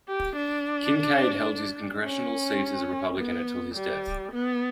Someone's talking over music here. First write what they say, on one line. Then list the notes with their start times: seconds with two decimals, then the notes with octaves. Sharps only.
Kinkaid held his Congressional seat as a Republican until his death.
0.08 G4
0.36 D4
2.05 C#4
3.18 B3
3.75 G3
4.32 B3